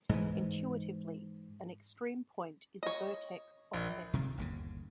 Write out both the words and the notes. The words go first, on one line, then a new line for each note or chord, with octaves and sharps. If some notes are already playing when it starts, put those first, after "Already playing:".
Intuitively, an extreme point is a "vertex" of "S".
G#2 E3
C#5 D#5
A#1
C3 D#3 F3
G1 D#2 C#3